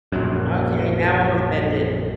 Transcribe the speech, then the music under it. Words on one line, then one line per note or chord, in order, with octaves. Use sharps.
Okay, now I'm offended.
A#1 F#2